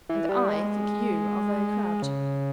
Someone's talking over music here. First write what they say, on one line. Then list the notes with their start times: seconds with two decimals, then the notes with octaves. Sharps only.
"And I think you are very crabbed."
0.09 E3
0.29 G3
0.48 G#3
2.02 C#3